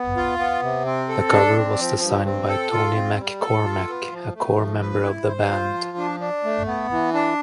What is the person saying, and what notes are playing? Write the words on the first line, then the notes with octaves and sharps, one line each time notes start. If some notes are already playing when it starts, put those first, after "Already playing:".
The cover was designed by Tony McKormack, a core member of the band.
Already playing: B3
F4
B3
C3
C4
A4
D4
C4
F3
G2
C4
A4
F4
C4
G3
A4
F4
B3
F3
A3
F3
B4
E4
C5
F4
F3
D4
D4
A3
B3
E3
D4